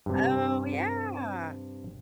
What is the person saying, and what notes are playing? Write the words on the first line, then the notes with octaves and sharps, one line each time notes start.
Oh, yeah.
G2 C3